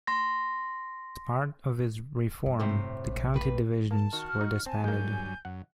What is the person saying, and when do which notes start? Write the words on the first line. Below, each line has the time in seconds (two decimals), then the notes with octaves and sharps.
As part of this reform, the County Divisions were disbanded.
0.07 C6 A#6
2.46 G2
2.60 A2 C3 C5
3.06 A#1
3.34 G2 B4
3.91 A#3 A5
4.13 D#3 F#4 F6
4.41 D#4
4.66 C4 G#5 A5
4.84 G2 F#3 G#3 A#3 G6
5.45 F#2 F#5